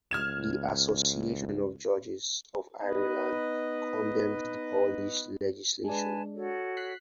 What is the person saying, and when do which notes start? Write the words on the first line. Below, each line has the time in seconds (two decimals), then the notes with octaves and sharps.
The Association of Judges of Ireland condemned the Polish legislation.
0.11 C#2 F6 G#6 E7
2.81 B3 D#4 B4 D#5
5.85 G#3 D4 B4 G#5 A5
6.35 F#4 A4 C#5
6.77 F#6 B6 C7